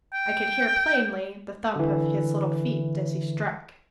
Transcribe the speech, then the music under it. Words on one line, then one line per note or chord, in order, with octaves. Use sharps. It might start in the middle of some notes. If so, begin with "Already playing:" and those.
I could hear plainly the thump of his little feet as he struck.
G5
D3 E3